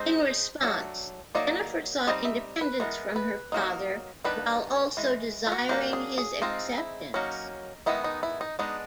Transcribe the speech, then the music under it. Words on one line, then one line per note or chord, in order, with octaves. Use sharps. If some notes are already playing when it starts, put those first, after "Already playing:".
In response, Jennifer sought independence from her father, while also desiring his acceptance.
Already playing: G#3 C4 D#4 C5
F#3 A3 D4
F#3 A#3 D#4 D5
G3 C4 D#4 D#5
E5
B4
E3 G#3 B3 A#4
B4
F#3 A#3 D#4
D#3 G3 B3 D4 B4
E3 G#3
F4
F#4
F#3 A#3 D4 G4
G#4
G#4
G#3 C4 D#4 F4
E4
F#3 A#3 C#4 D#4
D#3 G#3 B3 D#4 E4
D#4
E4
D#4
G#3 B3 D4 D#4